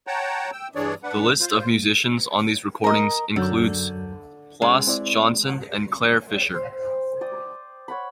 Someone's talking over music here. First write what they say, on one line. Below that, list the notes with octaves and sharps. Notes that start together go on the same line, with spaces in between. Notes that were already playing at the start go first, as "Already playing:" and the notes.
The list of musicians on these recordings includes Plas Johnson and Clare Fischer.
C#5 F#5 G5 A5 A#5
G5 E6
G2 E3 D4 G#4 C#5 D5
D4 B4 F#5
F4 C5
A#4 D#5
F#2 D3 F#3 G6
G#3 C#4
C4 E4 D5
C5
D5 G5 D#6
C#5 F#5 B5